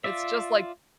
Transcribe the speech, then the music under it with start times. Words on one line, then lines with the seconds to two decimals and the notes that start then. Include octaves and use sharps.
it's just like,
0.04 F4 D5 E5